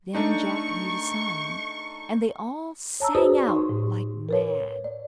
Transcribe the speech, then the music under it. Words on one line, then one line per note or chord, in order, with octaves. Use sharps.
Then Jack made a sign, and they all sang out like mad.
A3 D4 D#4 C#6
C#5 A5 A#5 E6
F#4 G#4 B4 C5 D5 D#6
D#4 C6 C#6
A2
A#4 B4 C#5
D5